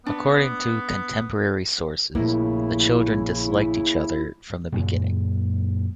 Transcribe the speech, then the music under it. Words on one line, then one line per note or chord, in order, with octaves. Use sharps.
According to contemporary sources, the children disliked each other from the beginning.
B3 D4
A#1 C#3 A3 A#3 E4
F#2 A#2 C#3 G#3